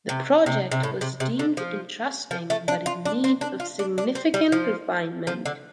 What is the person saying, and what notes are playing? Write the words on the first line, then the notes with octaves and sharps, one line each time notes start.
The project was deemed interesting but in need of significant refinement.
C3
C3
C3
A2
C3
C3
D3
F3
F3
A3
D4
F4
D4
C4
D4
F4
D4
D4
C4
G3
F3
F3
D3